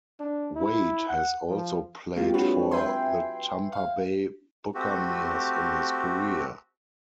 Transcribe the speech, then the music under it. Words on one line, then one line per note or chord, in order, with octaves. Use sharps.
Wade has also played for the Tampa Bay Buccaneers in his career.
D4
E4
F#5
F3
F#3 G#3 A#3 C4 F4 G4
C4 D4 F4 F#4 B4 C#5
B4 E5 G5 G#5 C6
F5
A3 C4 F#4 G4